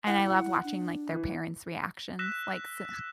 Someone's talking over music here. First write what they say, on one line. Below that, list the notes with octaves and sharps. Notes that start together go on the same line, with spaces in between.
And I love watching, like, their parents' reactions, like, s
E4 F#5
D4
E3
E6 F#6 A#6 B6 E7